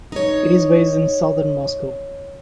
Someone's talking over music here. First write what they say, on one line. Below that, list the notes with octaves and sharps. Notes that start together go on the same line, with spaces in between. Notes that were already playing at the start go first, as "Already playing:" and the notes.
It is based in Southern Moscow.
D#4 C#5